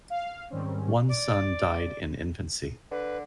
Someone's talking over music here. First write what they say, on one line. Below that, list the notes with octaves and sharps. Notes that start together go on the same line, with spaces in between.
One son died in infancy.
F5
G#2 D#3 G3 C4 C#4
D5
D3 B4